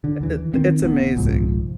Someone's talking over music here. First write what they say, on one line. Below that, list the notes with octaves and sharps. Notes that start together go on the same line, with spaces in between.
Eh, It Th It's amazing.
D3
D#2 E3
D#3 C4
D1 B3
D#1 C2 G#2 F3